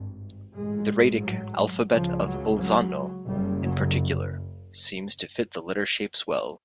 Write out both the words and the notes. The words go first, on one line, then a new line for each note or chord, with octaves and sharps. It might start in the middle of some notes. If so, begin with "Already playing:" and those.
The Raetic "alphabet of Bolzano" in particular seems to fit the letter shapes well.
Already playing: G#1 G2
A1 G#2 G#3
F#3
C#2 C#3 F3
F#3
F#3
F#1 F#2 C#3 G3
F#3